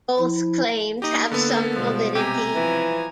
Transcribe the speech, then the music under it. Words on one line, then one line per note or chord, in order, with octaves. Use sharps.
Both claims have some validity.
F3 E4
A#3 D#4 G4 D#5
D3 B3 A4
B2 F3 G3 G#3
C3 G4 G#5 A#5
E3 F3